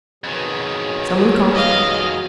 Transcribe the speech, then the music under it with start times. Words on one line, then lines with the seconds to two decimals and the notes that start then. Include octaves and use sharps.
Some one coughed.
0.24 F2 B2 D#3 F#3 G#4
1.54 D#5 F5